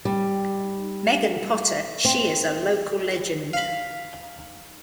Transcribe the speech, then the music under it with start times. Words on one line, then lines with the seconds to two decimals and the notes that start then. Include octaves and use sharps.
Megan Potter, she is a local legend.
0.05 G3
2.05 C4
3.53 F5 B5